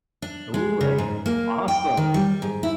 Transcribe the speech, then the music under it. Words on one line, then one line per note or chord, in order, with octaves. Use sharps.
Ooh, hey. Awesome.
D4
G#3
C#3
G#2
A#3
G5
D#3
G3
G#2
E4